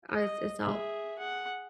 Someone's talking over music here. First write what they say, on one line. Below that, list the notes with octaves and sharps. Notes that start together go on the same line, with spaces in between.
Uh, it's it's all
D#5
G#4 E5
G#4 F#5